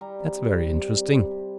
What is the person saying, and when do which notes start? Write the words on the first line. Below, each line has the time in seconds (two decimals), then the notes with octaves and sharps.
That's very interesting....
0.01 G3 A#5
0.19 C3
0.38 G3
0.57 C3
0.76 G3
0.95 C3
1.13 G3
1.31 C3